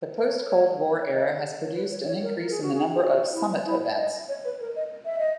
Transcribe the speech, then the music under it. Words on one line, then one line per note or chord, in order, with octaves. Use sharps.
The post-Cold War era has produced an increase in the number of "summit" events.
B4
C#5
B4
C#5
C#5
D#5
C#5
B4
C#5
C#5
A#4
A#4
G#4
F#4
G#4
G#4
F#4
E4
E4
E5
D#5
C#5
B4
A#4
D#5
E5
D#5